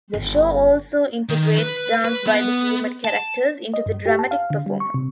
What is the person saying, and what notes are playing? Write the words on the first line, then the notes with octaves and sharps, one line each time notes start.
The show also integrates dance by the human characters into the dramatic performance.
G1
D#3
B4
B4
B3
A5
D#5
G2
G4
A5
F5
D3
G3
C#6
C3